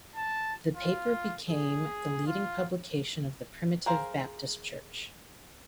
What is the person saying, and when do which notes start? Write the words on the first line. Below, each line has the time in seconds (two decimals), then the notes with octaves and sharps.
The paper became the leading publication of the Primitive Baptist Church.
0.16 A5
0.76 F4
1.49 G#4
2.26 F4
3.86 G#4 A#4 C5 F5